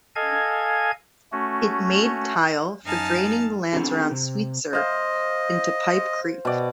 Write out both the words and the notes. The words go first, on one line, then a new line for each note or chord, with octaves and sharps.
It made tile for draining the lands around Sweetser into Pipe Creek.
A4 D#5 F5 G#5 G#6
A3 C#4 F#4
F#2 D#4 F5 G#5 A5
B3 C4 D4 G#4
C3
C5 D#5 F5
B2 D5